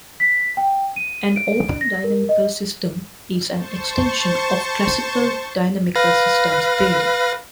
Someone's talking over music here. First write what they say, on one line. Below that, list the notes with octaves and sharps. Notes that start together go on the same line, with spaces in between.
An "open dynamical system" is an extension of classical dynamical systems theory.
B6
G5
D#7
D7
A#6
A#4
D#5
C5 A5 C#6
B4 F5 A#6